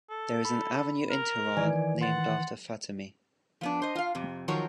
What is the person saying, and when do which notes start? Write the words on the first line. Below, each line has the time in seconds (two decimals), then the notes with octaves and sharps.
There is an avenue in Tehran named after Fatemi.
0.10 A4
0.45 B5
1.10 A#4
1.57 D#3 E3 D5 G#5
2.01 F#5 C6 A6
3.61 F3 B3 D4
3.82 C5 D#5
3.95 F4 F5
4.15 F2 C3
4.48 D#3 F3 F#3 A#4 C#5